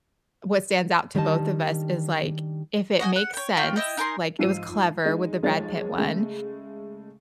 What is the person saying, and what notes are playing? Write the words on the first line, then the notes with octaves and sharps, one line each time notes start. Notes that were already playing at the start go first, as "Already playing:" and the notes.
what stands out to both of us is like, if it makes sense, like, it was clever with the Brad Pitt one,
D#3 G3 D4 G4 D#5 A5
F#4 D#5 G5 G#5
F#5
C#5 G5
F4 G5 C#6 G6
E4 D#5 G5
D#4 A#4 G#5 C6
G#2 F3 F4 E6 C7 D#7
G#3 D#4
B1 F3 G#3 C#5 A6
C#3 G#3 A3